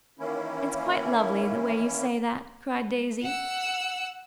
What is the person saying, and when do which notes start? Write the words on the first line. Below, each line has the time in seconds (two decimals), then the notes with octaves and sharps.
"It's quite lovely, the way you say that!" cried Daisy.
0.19 D#3 E3 A#3 C#4 E4
3.22 F#5 E6